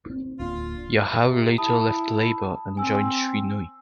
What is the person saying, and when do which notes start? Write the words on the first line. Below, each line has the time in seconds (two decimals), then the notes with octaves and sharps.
Yahav later left Labour and joined Shinui.
0.06 C4 D4
0.39 D1 A#3 D4 F4
1.16 C3
1.58 E4 A5 B5 D#6
2.77 C4 G#5 E6